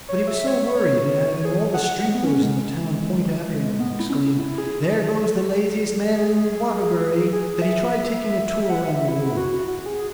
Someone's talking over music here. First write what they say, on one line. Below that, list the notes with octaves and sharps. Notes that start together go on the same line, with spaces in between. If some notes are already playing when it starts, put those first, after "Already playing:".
But he was so worried at having all the street boys in the town point after him and exclaim: "There goes the laziest man in Waterbury!" that he tried taking a tour round the world.
C#5
E5
C#5
C#5
G#4
F#5
G#3
B3
C#4
G#3
B3
E4
C#4
E4
G#4
G#4
G#4
E5
E5
F#5
E5
E4
F#4
F#4
G#4